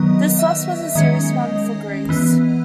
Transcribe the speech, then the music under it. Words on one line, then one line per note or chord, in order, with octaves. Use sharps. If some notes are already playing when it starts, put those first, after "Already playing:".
This loss was a serious one for Greece.
Already playing: D#3 F#3 B3 D#5
E5
D#3 G#3 C#4 D#5
E3 B3